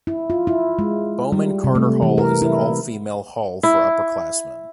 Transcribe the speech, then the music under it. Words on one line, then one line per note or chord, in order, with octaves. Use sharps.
Bowman-Carter Hall is an all-female hall for upperclassmen.
E4
F4
E4
G#3
G3
C3
A3
E3
A#4
E4
E4